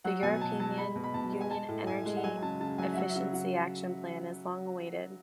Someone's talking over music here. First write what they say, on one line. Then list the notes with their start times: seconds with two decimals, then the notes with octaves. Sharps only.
The 'European Union Energy Efficiency Action Plan' is long-awaited.
0.04 F#3 F#5
0.23 B2 G#5
0.41 B2 A5
0.59 F#3 A5
0.78 G#3 B5
0.96 B2
1.04 B5
1.14 B2 A5
1.33 G#3
1.41 G#5
1.51 G#3 A5
1.68 A2
1.87 A2 G#5
2.06 G#3
2.17 F#5
2.24 F#3 G#5
2.38 G#5
2.42 C#3 A5
2.60 C#3 A5
2.78 F#3 G#5
2.93 E5
2.96 F#3 F#5
3.09 E5
3.15 C#3 F#5
3.34 C#3 F#5